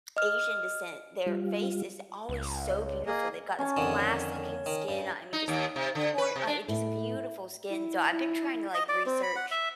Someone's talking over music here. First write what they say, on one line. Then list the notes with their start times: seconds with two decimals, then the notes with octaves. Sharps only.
Asian descent, their face is always so beautiful, they've got this glass-looking skin. I mean, just por uh, it's just beautiful skin, so I've been trying to, like, research,
0.17 D#5 F6
1.26 G3 F4
2.29 C#2
3.06 A#3 G#4 D#5
3.59 C#4 A5
3.77 F2 D3 D#3
4.66 D#3
4.88 G2
5.33 D#4
5.48 D#2
5.76 C3
5.95 D3
6.18 B4
6.36 C3
6.47 D4
6.68 A2
7.70 E4
8.09 E4
8.74 D#5
8.89 D5
9.06 C4
9.23 B5
9.36 F#5
9.51 E5